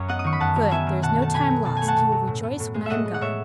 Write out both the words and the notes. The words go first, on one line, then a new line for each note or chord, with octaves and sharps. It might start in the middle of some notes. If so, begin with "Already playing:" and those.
"Good; there is no time lost,--you will rejoice when I am gone."
Already playing: F#2 F#3 C#5
B3 D#5 F#5
D#6
D#3 C#6
B5
F#2 F#5 A5
F#3
B3 E5 G#5
D#3
B2 F#5 A5
A3 A5
B2 G#5 B5
F#3
B2 A5
A3 G#5
F#5 A5
B2
F#3
A2
B3
A2
G#3
A2 D#5 E5 F#5
B3
F#5
A2 C#5 E5